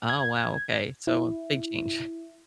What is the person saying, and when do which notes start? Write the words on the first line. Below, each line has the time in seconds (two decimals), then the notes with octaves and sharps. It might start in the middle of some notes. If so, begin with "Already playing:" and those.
Oh, wow, okay, so a big change.
0.10 G#6
1.07 E4